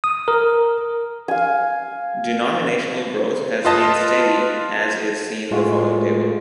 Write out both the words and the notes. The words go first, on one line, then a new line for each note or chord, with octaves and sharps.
Denominational growth has been steady as is seen the following table.
D#6
A#4
F5 G#5
F4 B4 D#5 A5
A2 G#3 A3 F4 F#4